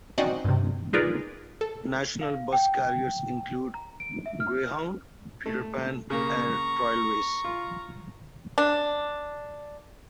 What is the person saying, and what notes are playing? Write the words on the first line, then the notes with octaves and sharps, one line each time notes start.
National bus carries include Greyhound, Peter Pan and Trailways.
C4 C#4 D#4 F#4 D5 D#5
G2 C3
D#4 F4 G#4 A#4 B4 D5
A4
F5
G5
A#5
D7
E5
F6
A3
C#3 A#3 A#5 C#6
F4
D4